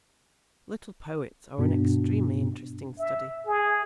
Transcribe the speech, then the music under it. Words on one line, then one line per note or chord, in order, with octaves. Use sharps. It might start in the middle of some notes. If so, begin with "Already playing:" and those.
Little poets are an extremely interesting study.
G2 B2 B3 D4
E5
G#4